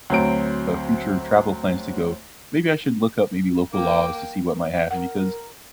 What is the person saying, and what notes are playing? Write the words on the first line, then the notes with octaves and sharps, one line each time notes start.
uh, future travel plans to go, "Maybe I should look up, maybe, local laws to see what might happen." Because
D2 F#3 C4 C5 D7
A#3 G5 D6
A#4 F#5